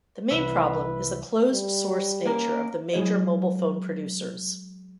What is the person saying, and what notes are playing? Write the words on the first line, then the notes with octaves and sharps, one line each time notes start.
The main problem is the closed-source nature of the major mobile phone producers.
C2 E3 B4 E5
G3
A#3 C#4 A#4
F#3 G#3 E4 G#4 C#5 D#5